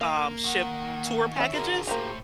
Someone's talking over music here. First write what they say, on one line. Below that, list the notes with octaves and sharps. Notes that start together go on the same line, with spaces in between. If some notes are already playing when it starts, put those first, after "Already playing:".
um, ship tour packages.
A#3 F5
D#3 F#5
C#4 E5
D3 F#4 G#4 A#4
A2 A#3 G4 C5 A#5